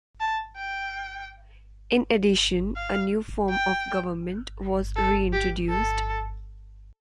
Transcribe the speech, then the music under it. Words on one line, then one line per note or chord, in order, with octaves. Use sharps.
In addition, a new form of government was reintroduced.
A5
G5
F5
G5
A4
G4
A4